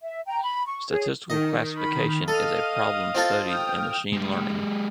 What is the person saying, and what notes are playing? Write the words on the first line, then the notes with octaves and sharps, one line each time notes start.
Statistical classification is a problem studied in machine learning.
E5
G5 A#5
B5
C#6
G#4 C#5
D#3 D#5
B5
A4 D#5 F5 F6 D#7
C4 F4 A4
G5 D#6 F6
G#3 G4